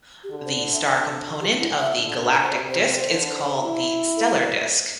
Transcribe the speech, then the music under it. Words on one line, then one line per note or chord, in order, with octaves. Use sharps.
The star component of the galactic disc is called the stellar disc.
G4
D3 A4
C5
D5
E5
D5
D3 G4
E4
E5
D3
C5
C3 D5
C5
D5
C5
D3
E4
A4
C5
D5
E5